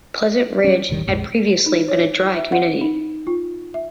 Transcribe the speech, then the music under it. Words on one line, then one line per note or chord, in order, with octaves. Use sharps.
Pleasant Ridge had previously been a dry community.
G3 C#4
E1 A1 D#3 G3
A#1 F2 G#3
D#4
C#5
E5
F#5
D#4
F4
E5